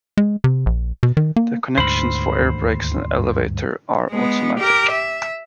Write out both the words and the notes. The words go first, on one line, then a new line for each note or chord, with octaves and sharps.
The connections for airbrakes and elevator are automatic.
G#3
C3
A#1
B2
D#3
A#3
D2 G#2 C5 B5
D#2 D3
G2
G#3 B3
G4 A#4
E5